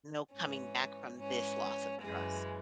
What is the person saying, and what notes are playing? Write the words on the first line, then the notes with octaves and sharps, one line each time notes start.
no coming back from this loss of trust?"
G#2 E3 C#4
G#2 E3 C#4
F#2 C#3 E3 G#3